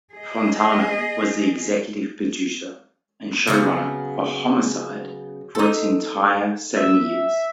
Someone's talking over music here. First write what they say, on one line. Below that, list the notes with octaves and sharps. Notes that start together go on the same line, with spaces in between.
Fontana was the executive producer and showrunner for "Homicide" for its entire seven years.
G#4 D#5
C#3 F#3 A3 B3
D#4 A4
E5